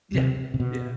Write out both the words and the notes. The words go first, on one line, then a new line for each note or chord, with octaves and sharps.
Yeah, yeah,
C3
C3
B2